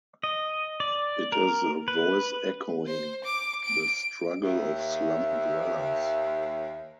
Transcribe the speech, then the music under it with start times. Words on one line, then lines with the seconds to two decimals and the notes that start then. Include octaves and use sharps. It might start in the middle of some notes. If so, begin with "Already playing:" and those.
It is a voice echoing the struggle of slum-dwellers.
0.23 D#5
0.80 D5
1.32 A#4
1.88 B4
2.88 C5
3.24 D6
3.64 D7
4.42 D#2 E5